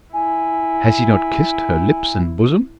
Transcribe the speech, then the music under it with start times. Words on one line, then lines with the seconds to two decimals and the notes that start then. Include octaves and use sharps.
Has he not kissed her lips and bosom?
0.13 E4 G#5